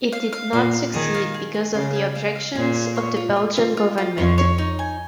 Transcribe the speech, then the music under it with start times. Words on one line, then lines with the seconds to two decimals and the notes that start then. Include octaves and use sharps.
It did not succeed because of the objections of the Belgian government.
0.12 F5
0.33 F5
0.53 A#2 F5
0.73 F5
0.94 D#3 G#4
1.14 F5
1.34 G#4
1.54 G#4
1.75 C#3 F5
1.95 G#4
2.15 F5
2.35 F5
2.55 A#2 G#4
2.75 G#4
2.96 C#5
3.17 F4
3.36 F4
3.57 F4
3.77 F4
3.98 F4
4.18 F2 C#5
4.38 C#5
4.58 D#4
4.79 G#5